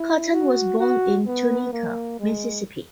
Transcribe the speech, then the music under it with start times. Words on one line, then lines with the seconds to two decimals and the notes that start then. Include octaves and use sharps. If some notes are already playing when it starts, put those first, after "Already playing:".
Cotton was born in Tunica, Mississippi.
Already playing: E4
0.32 F#4
0.79 F#4
1.26 B3
1.73 A#3
2.19 G#3